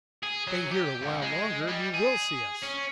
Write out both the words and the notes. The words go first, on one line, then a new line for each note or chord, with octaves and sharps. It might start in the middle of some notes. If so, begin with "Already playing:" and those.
"Stay here a while longer and you will see us!"
G#4
F#3
G4
C#2
G#3
G3
G#4
C#4